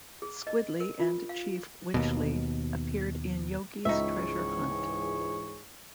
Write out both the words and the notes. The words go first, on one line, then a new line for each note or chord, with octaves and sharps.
Squiddly and Chief Winchley appeared in "Yogi's Treasure Hunt".
G#4
D#5
A#4
F4
F5
D#2 B2
C#2 G#2 E3 D#4 G#4 C#5 E5